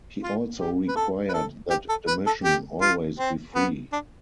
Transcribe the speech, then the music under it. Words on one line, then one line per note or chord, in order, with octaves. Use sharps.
He also required that admission always be free.
F4
G4
B4
A4
B4
A4
G4
A4
B4
A4
G4
F4
C4
B3
D4